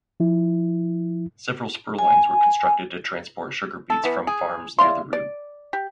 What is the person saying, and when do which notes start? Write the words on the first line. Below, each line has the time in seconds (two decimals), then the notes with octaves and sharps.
Several spur lines were constructed to transport sugar beets from farms near the route.
0.20 F3 E4
1.99 G#5
3.90 A4
4.04 E3 B3
4.27 G#4
4.79 E4 D5 F5 C6
5.13 D5
5.73 G4